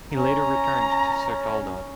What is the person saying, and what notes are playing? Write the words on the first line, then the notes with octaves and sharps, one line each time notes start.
He later returned to Certaldo.
C#4 A#5